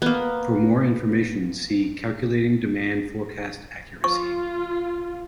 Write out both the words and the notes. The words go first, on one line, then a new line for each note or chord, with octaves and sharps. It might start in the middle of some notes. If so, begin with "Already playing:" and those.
For more information see Calculating demand forecast accuracy.
A#3 B3
F4 C#6